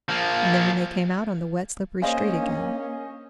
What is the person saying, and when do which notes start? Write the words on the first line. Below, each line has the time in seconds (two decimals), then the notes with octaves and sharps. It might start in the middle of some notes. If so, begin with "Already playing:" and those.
And then they came out on the wet, slippery street again.
0.09 F3 A#3
2.02 A#3 C#4 G#4 C5 D#5 F5
2.43 D4